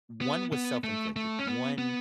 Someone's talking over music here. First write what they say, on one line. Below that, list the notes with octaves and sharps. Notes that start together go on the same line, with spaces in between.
one was self-inflicted. One,
B3
B3
A3
A3
C#4
B3
B3